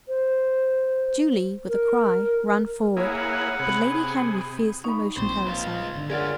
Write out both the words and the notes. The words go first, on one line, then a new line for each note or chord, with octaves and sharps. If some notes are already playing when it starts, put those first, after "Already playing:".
Julie, with a cry, ran forward, but Lady Henry fiercely motioned her aside.
C5
A#4
A#3 E4 G#4 B4 C#5 F#5
C3 G#4 B5
D#4 B5 C#6
A#1 A#2 C4 C5
C#2 F4
G1 D3
C#4 F4 G#4 A#4 D5 F#5 F6 A6